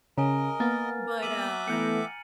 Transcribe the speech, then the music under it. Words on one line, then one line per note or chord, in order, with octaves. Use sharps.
But, uh
C#3 A#4 D#5 G#5 A#5
A#3 B3 F6 A6
E5 D6 D#7 F#7
E3 A3 B3 F#5 G5 A#5 C#7